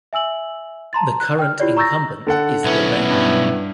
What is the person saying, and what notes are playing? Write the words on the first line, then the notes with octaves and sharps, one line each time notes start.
The current incumbent is The Ven.
E5 G#5 E6 F#7
A5 A#5 C6 A6
F#6
G5 F6
E4 F4 G4 C#5 D5
A#5 C#6 E6 G6 A6 A#6
D3 A4 F#5
B1 B3 C#4 E4
G2